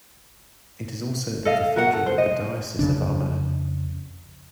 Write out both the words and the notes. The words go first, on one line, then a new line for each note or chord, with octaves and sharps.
It is also the cathedral of the Diocese of Armagh.
A4 D#5 F5
F#4 A#4 F#5
A4
C5
D#5
F2 C#3 D4